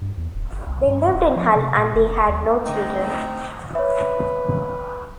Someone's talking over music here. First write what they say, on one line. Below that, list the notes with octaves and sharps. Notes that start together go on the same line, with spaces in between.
They lived in Hull and they had no children.
G2
E2
D1
G1
C2
G2
D1
F3
C3
A#2
F1
D#2
D3 A3 C4 D#4 D#5
B4 C#5 E5